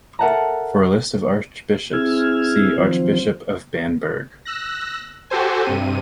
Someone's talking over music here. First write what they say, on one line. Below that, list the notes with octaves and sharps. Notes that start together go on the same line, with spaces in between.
For a list of archbishops, see Archbishop of Bamberg.
A4 A#4 E5 F#5 A5 A#5
C4 E4 G#4 E6 F6 G#6
D#3 F3 F#3 C4 F4 C5
E6 F#6 A#6
F#4 G4 A4 C5 G#5
G2 C3 D#7